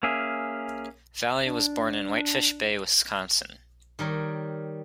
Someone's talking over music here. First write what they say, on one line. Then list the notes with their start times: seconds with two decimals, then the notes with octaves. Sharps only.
Valley was born in Whitefish Bay, Wisconsin.
0.03 A#3 C#4 G#4 E5
1.45 D4
3.99 D#3 G3 A#4 C#5